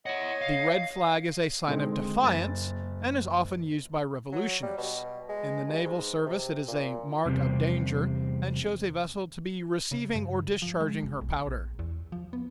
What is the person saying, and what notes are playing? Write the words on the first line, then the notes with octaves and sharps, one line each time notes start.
The red flag is a sign of defiance, and is often used by revolutionists. In the naval service it is a mark of danger, and shows a vessel to be receiving or discharging her powder.
E4 C#5 D#5 F#5
F5
D3 D#3 G#3 C4 D#4
F#1 A6
F#3
G3
B2
G#3
G2
G#2
C3
A#2
E2 C3 G3 C4
C#3
G2
F3
G#3
F1
B1
A#1
E2
F3
B3